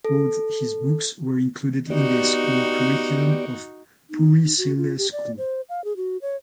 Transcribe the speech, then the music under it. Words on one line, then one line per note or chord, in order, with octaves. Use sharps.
Both his books were included in the school curriculum of Puri Zilla School.
A4
B3 D#4 F#4 G4 D5
D#4
D#4
F#4
F4
G4
D5
C5
F5
G#4
F#4
C#5